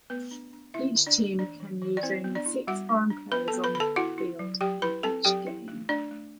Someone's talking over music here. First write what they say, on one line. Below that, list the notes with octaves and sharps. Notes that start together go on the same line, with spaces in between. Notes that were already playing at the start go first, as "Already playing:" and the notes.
Each team can use only six foreign players on the field in each game.
A3 B3 B4
D4
D4
D3 E4 E5
D3
D4 D5
A3
E3 D4 D5
E3
E3
D5
C4 E4 C5
B3
D4 D5
E4
G3 F#4 F#5
D4
D4
B3 B4 B5
A4 A5
B3
B4 B5
D3 B5
A4 A5
E4 F#4 F#5
E4
F#3
F#3 G4 G5
E4 B4 B5
C4 A4 A5
F#3 G4 G5
E4
A3
A3 D4 D5
A3